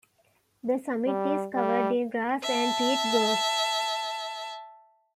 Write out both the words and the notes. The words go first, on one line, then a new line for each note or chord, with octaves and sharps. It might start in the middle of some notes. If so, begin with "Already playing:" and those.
The summit is covered in grass and peat groughs.
G3
G3
E5 A5